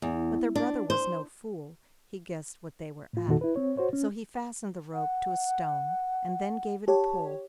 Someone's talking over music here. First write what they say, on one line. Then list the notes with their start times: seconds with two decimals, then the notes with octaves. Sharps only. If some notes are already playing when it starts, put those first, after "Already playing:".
But their brother was no fool; he guessed what they were at, so he fastened the rope to a stone, and then gave it a pull.
0.02 E2
0.55 D4
0.90 C5
3.13 A2 F4
3.27 E2 A#2 D#3 D#4 F#4 A4
3.41 E4 B4
3.56 C4 C#5
3.77 F#4 C5 C#5
3.93 C#4
4.95 F#5
6.88 G4 C#5 A5